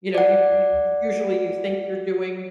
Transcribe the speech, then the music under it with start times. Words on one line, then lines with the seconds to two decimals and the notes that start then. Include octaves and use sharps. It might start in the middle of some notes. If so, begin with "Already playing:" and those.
you know, you you usually, you think you're doing,
0.15 D5 F#5